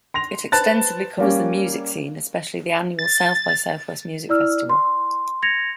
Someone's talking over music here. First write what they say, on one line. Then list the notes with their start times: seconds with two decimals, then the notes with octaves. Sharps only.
It extensively covers the music scene, especially the annual South by Southwest Music Festival.
0.14 C6 A#6 F7
0.52 B4 C5 A5 F#6 A6
1.19 G3 A#3 C#4
2.99 A6
4.29 E4 D5 E6 F6
4.69 C6
5.42 G#6 A#6 C#7 F7